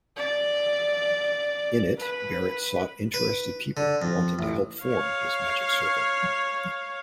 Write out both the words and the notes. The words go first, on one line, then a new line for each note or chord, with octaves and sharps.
In it Barrett sought interested people wanting to help form his magic circle.
D5
B4
B4
D3
F2
A1
C#5 F5